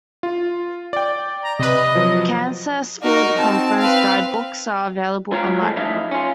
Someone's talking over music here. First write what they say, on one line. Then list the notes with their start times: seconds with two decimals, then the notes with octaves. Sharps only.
Kansas Field Conference guidebooks are available online.
0.23 F4
0.93 D5 G5
1.44 A#5
1.59 C3 B4 D#5
1.95 F3 F#3
3.03 D#4 F#4 A#4
3.38 C4 A5
3.80 B4 F5
5.32 G#3 F4 C#5 F5 G5 A#5
5.61 A2 F3 G#3 A4
5.76 F#2 A2 F3 D#4 E5 F5
6.11 C#4 F4